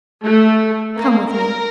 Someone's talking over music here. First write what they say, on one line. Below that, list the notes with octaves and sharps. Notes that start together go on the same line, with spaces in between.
Come with me.
A3
A#3
A#4